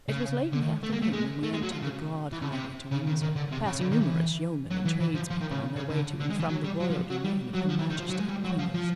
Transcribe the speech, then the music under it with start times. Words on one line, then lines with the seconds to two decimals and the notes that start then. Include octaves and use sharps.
It was late in the afternoon when we entered the broad highway to Windsor, passing numerous yeomen and tradespeople on their way to and from the royal domain of Her Majesty Queen Elizabeth.
0.08 C#3
0.53 D3
0.63 D#3
0.83 A3
0.93 A#3
1.02 A3
1.13 G#3
1.43 A3
1.53 G#3
1.63 F#3
1.72 F3
1.82 C#3
2.32 E3
2.42 C#3
2.52 C3
2.91 C#3
3.07 D#3
3.22 D#3
3.36 D3
3.52 C3
3.66 C#3
3.81 D3
3.92 D#3
4.01 E3
4.71 F#3
4.86 E3
5.01 E3
5.15 F3
5.30 F3
5.40 D#3
5.50 C#3
5.76 C#3
5.90 D3
6.20 D3
6.31 G#3
6.40 E3
6.49 F#3
6.64 G3
6.80 F#3
6.90 F3
7.10 F#3
7.24 G3
7.55 F#3
7.69 F3
7.79 E3
7.90 D#3
7.99 F3
8.09 F#3
8.19 G#3
8.28 G3
8.44 F#3
8.58 F3
8.74 F3